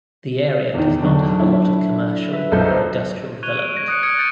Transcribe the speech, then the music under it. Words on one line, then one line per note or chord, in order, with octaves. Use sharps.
The area does not have a lot of commercial or industrial development.
E2 D#3
D3 F#3 D4
D4 E4
B4 E5
B1 F4 A4 C5 G6
C#6 F#6 G#6 D#7 F7 G7
D7
G#6 A#6 D7
D#6 F#6 C#7 D7
D#6 F6 F#6 G#6 C#7 D7
F#6 G6 A6 C#7 D#7